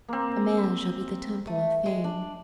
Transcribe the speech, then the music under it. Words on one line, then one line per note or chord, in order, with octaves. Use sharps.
A man shall be the Temple of Fame.
A#3 C4
A3
G#3
D4